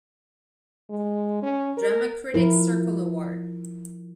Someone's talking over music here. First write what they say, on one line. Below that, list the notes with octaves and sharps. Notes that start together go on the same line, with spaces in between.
Drama Critics Circle Award.
G#3
C#4
A#4
F3 E4 A#4